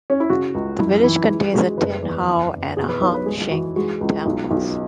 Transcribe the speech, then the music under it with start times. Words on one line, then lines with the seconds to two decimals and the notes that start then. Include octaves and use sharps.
The village contains a Tin Hau and a Hung Shing temples.
0.10 C#4
0.20 E4
0.30 C#3 F#4
0.54 C#2
0.79 F#2 E4
1.03 E3 E4
1.28 G#3 E4
1.53 G#3 F#4
1.77 F#1 B4
2.02 E2
2.27 F#1
2.52 F#1
2.77 B2 G#4
2.89 B4
3.01 B1 C#5
3.14 B4
3.26 G#3 G#4
3.51 E3 F#4
3.76 G#3 F#4
4.01 C#2
4.26 B1
4.51 B1